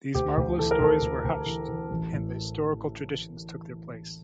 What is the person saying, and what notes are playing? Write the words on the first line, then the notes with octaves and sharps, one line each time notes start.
These marvelous stories were hushed and historical traditions took their place.
D2 G4
D2
E3 A4
A#4
D2 A4
D2
D2
E3
E3
A1
A2